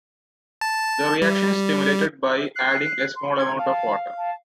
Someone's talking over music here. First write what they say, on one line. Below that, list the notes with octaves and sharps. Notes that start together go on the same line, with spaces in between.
The reaction is stimulated by adding a small amount of water.
A5
G3
F#6 C7
C6
C6 G#6
F5 A5
A5